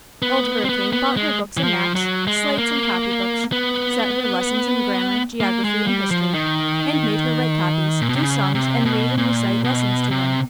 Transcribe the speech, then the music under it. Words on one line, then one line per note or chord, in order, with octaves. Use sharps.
Old Hurricane bought her books and maps, slates and copy-books, set her lessons in grammar, geography and history, and made her write copies, do sums and read and recite lessons to him.
B3
C4
B3
B3
G#3
E3
F3
F#3
G#3
A#3
B3
A#3
G#3
G3
F3
D#3
A#2
B2
C3
C#3
C3
B2
A#2
B2
C3